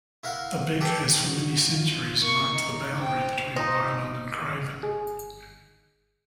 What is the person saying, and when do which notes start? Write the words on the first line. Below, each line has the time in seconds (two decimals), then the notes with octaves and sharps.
The Beck has for many centuries marked the boundary between Bowland and Craven.
0.23 E4 A#4 F5 F#5
0.81 G4 A4 B4 A#5
1.23 F#4
1.68 F4
2.20 A#3 C#6
2.52 D#4
2.99 C5 G5
3.56 D#4 C5 A#5
4.83 G#4